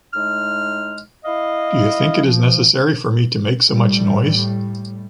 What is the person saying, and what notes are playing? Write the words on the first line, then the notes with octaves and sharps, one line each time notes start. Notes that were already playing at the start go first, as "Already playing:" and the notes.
Do you think it is necessary for me to make so much noise?
A2 G#3 D#4 F6
E4 D#5 F5
F3
A2 G3